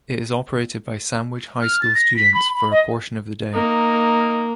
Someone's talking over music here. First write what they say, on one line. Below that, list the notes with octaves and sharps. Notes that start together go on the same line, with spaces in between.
It is operated by Sandwich High School students for a portion of the day.
F6
A6
A#6
B6
B5
B5
D#5
A#3 D#4